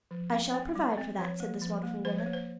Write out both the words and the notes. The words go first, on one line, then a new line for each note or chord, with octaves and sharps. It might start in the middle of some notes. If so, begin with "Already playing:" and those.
"I shall provide for that," said this wonderful woman.
F3
C4 F5
C4
G3
C4
F3 C#5
A#3
F3
A#3
F3 C5
C#5
A#3
C5